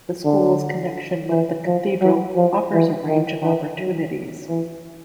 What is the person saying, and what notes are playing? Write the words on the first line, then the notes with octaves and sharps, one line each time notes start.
The school's connection with the cathedral offers a range of opportunities.
D3
E3
F3
F#3
F3
E3
D#3
E3
F#3
E3